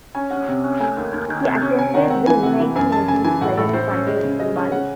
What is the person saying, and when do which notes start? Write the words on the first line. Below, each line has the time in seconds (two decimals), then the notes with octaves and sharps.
He attended the United Nations Climate Conference in Bali.
0.15 C#4 G#5
0.31 C#4 F#5
0.48 C3
0.64 C#4
0.80 A3 G#5
0.97 D#2
1.13 D#2
1.29 D#3
1.45 C3
1.62 C#4
1.78 C3 G#5
1.94 D#3 F#5
2.10 C4 F#5
2.27 E3 G#5
2.43 C3 F#5
2.60 E3
2.75 F#2 G#5
2.92 F#2 A5
3.08 C#3 G#5
3.24 E3 G#5
3.41 A2 F#5
3.57 A2 A4
3.73 A2 C5
3.90 C#4
4.07 G#3
4.23 C#3
4.39 G#3 D#5
4.56 C#4
4.72 C#3 F#5